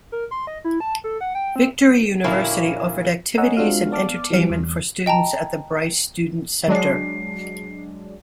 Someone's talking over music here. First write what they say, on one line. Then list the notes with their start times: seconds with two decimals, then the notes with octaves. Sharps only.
Victory University offered activities and entertainment for students at the Bryce Student Center.
0.12 A#4
0.31 C6
0.47 D#5
0.65 E4
0.80 A5
1.04 A4
1.21 F#5
1.35 G5
1.56 C4
2.24 A#2 D3 F#3 A#3 C#4 E4
3.38 C#5 D#5 F#5 G#5 A#5 E6
3.57 G#3 C4 D4 F4 F#4 F5
3.92 B3 D5 A5 D6 F6
4.30 E3 F#3 G3 C4 F6
4.50 E2
5.06 D#5 G5 A5 A#5
6.68 F#3 G#3 D4